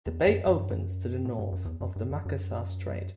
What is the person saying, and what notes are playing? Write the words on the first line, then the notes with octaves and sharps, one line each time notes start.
The bay opens to the north of the Makassar Strait.
E2
F#2
F#2
G2
F#2
A2
G2
F#2
E2
F#2
G2
F#2
F#2